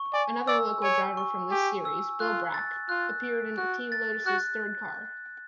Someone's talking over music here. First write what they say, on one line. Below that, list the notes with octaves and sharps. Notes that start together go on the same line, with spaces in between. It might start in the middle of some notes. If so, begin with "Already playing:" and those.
Another local driver from this series, Bill Brack, appeared in Team Lotus's third car.
Already playing: C#6
D5 G#5
D5 E6
C#5 G#5
C#6
G4 G#5
E6
F4 F#6
A6
F4 F#6
D7
F#4 F#6
A6
F#4 F#6